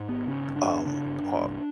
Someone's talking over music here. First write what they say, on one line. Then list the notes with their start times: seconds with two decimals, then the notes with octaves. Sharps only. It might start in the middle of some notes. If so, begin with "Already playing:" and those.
um, uh,
Already playing: G#2
0.08 G#1 B3
0.27 C#3 C#4
0.47 G1
0.56 D4
0.66 G1
0.85 C#3 D4
1.05 G1
1.23 G1
1.43 C2